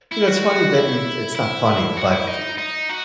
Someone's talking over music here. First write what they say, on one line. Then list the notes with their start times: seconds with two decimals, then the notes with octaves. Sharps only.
You know, it’s funny that you it’s not funny, but
0.12 E4
0.27 F#4
0.74 E4
1.35 E4
1.97 F#4
2.12 E4
2.28 D#4
2.58 D#4
2.90 F#4